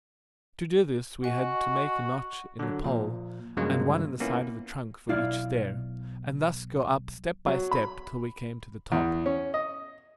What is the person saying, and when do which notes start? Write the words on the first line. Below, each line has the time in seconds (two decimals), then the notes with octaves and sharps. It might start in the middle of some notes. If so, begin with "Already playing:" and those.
To do this we had to make a notch in the pole and one in the side of the trunk for each stair, and thus go up step by step till we came to the top.
1.24 F#4 D#5 G#5 C#6
2.59 D3 F#3
2.84 A#2 F3
3.57 G2 C#3 F3 F#3 G#3 A#3
4.20 A#3 B3 C#4 E4 F4
5.09 B1 E4 F4 D5 F5
7.47 F#3
7.72 B5
8.92 E2
9.26 C#4
9.54 D#5